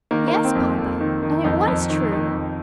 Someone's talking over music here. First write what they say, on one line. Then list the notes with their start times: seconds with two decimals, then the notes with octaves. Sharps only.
"Yes, papa, and it was true."
0.11 D#3 A#3
0.28 A#3
0.33 D#3
0.45 C4
0.55 F2
0.78 F2
1.00 D#3
1.23 D#3
1.44 F2 D#4
1.67 F2
1.90 D#3
2.12 D#3
2.34 F2